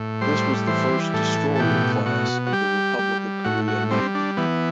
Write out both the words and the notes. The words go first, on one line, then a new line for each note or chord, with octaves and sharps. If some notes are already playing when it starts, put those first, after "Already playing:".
This was the first destroyer class of the Republic of Korea Navy.
Already playing: A2
G3 C5
E3 C5
A2 A4
A4
B2 G4
B2 F#4
F#4
G3 G4
G3
A2 F#4
F#4
G3 C4
D4
E3 B3